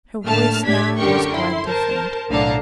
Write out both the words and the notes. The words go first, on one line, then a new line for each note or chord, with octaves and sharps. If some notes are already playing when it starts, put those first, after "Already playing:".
Her voice now was quite different.
A2 D3 A3 A#3 A5 F6
A2 D4 G4 G#6 B6
F#2 D3 G4 A#4 G5 C#6
E4 C6
A#4 C5 A5
B1 A2 D3 F5 A5 A#5